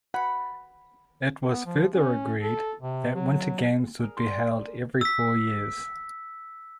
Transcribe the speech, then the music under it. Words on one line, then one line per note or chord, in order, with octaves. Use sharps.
It was further agreed that Winter Games would be held every four years.
F#5 B5
B3
F3
C#4
A4
C3
F#3
G#4 A#4
D4 C5 C6
E6 B6